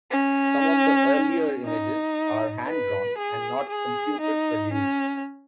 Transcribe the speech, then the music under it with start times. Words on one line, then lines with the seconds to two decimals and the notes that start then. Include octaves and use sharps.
Some of the earlier images are hand drawn and not computer produced.
0.11 C#4
1.64 D#4
2.67 B4
3.18 G#4
3.69 G#4
4.21 D#4
4.72 C#4